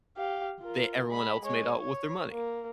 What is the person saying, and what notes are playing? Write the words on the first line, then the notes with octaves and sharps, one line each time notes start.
They everyone else made out with their money.
G4 F5
F4 A#4
G#3 B5
G#3 C#5
C#5
A#3